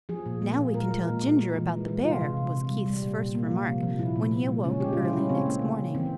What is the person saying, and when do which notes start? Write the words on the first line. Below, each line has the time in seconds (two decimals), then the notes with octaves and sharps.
"Now we can tell Ginger about the bear," was Keith's first remark, when he awoke early next morning.
0.09 F3 G#4
0.26 A#2
0.42 A#3
0.58 A#2
0.74 G#3 A#4
0.91 G#3
1.08 A#2
1.23 A#2
1.39 G#3
1.56 E3
1.72 G#3
1.88 G#3
2.04 C3 F4
2.21 C3
2.37 C3
2.53 C3
2.69 G3
2.86 G3
3.02 A#2
3.18 A#2
3.35 A#3
3.51 F3
3.67 C3
3.83 F3
3.99 A#2 E4
4.16 A#2
4.32 A#2
4.48 G#3
4.64 C#3 C#4
4.80 G#3 G4
4.93 C#3 F4
5.05 E4
5.13 G#3 C#4
5.29 C#3 C4
5.46 A#3
5.62 C#3
5.78 C#3
5.95 E3 C4